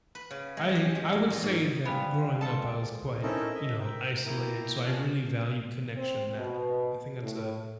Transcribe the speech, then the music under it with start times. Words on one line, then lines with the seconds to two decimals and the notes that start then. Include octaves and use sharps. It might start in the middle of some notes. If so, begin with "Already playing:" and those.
I I would say that growing up, I was quite, you know, isolated, so I really value connection now. I think that's a
0.15 B4
0.31 C#3
0.57 G#3
0.75 G4
0.95 G#3
1.13 A#2
1.30 A#2
1.43 G#2
1.85 F3 G3 B3 G#4
2.41 G#3 A4 A5
3.22 C4 C#4 D#4 E4 A4 A#4
3.54 D#5 E5
3.80 A#4 E5 G5
4.25 A#3 E4 G5 A#5
4.86 C#4 F4 A5 F6 F#6
5.95 C4
6.35 B2
7.21 A2